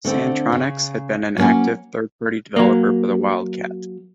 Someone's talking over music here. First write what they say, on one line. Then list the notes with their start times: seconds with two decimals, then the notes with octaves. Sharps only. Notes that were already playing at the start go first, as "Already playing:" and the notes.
Santronics had been an active third-party developer for the Wildcat!
0.05 D3 A3 C4
0.52 C#3
1.37 F#3 A#3 C4 C#4
2.56 F#3 A#3